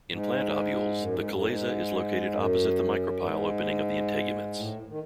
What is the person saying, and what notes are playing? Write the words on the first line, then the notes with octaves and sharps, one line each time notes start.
In plant ovules, the chalaza is located opposite the micropyle opening of the integuments.
G#2
F#2
G#2
F#2
G#2
F#2
G#2
A2
D#3